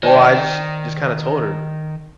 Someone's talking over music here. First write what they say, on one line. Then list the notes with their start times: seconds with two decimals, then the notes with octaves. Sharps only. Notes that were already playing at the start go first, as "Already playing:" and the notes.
Well, I just just kinda told her
0.03 D#3 C5 D5 G5